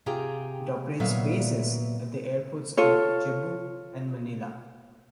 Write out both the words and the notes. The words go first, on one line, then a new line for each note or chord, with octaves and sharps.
It operates bases at the airports in Cebu and Manila.
C3 F4 G4 G#4 G5 A#5
A#2 F#3 B3 B4 E5 F5
F4 A4 C#5